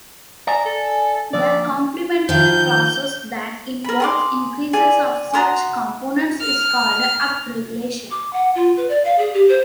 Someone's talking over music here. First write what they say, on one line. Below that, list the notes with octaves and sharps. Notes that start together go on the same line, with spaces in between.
The complementary process that involves increases of such components is called upregulation.
D5 E5 G#5 A#5
A4
D3 F3 A#3 D5
D#3 F3 G6
A#4 B5
G#4 C6 D6
G#4 D5 G#5
F#4 A#5 C6 D#6
F6
D6
F#5
F4
B4
D5
F5
G#4
G4
C5